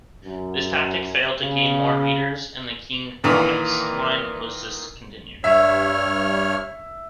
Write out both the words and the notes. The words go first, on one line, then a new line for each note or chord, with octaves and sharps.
This tactic failed to gain more readers, and the King Comics line was discontinued.
F#2
C#3
A#2 D#3 E3 A#3
G2 C#5 E5 F6